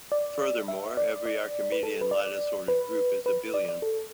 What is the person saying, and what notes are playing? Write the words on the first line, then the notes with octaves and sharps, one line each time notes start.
Furthermore, every archimedean lattice-ordered group is abelian.
D5
E5
D5
D5
B4
A4
B4
D5
B4
B4
D5
D5
A4